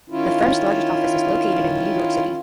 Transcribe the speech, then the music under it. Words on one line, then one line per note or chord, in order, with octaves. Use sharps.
The firm's largest office is located in New York City.
D#3 C#4 E4 F4